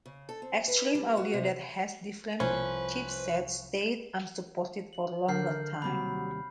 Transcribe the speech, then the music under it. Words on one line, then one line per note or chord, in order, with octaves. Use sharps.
Xtreme Audio that has a different chipset stayed unsupported for longer time.
C#3
A4
C4
B4
G3
F#4
C3
C2 F3 C#4 B4 C5
F#7
D3 A#4 F6 G6 C7
D#2 C3 F#3 G3 B5